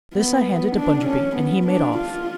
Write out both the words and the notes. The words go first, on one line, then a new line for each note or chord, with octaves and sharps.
This I handed to Bunderby and he made off.
B3
D4
C#4
B3
D4
F4